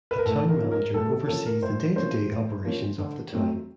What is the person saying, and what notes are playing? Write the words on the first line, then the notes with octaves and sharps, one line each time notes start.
A town manager oversees the day-to-day operations of the town.
B4
A#4
A2 A4
A#4
F3 A#3 C#4
A#4
A2 A4
A4
F3 A#3 C#4 A4
A#4
A2 C5
F3 A#3 C#4 C5
A2
F3 A#3 C#4
D3
F#3 A3 C4